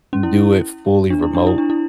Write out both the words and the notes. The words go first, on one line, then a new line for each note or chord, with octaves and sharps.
do it fully remote.
C#4
E4
D4
E4
D4
E4
D4
E4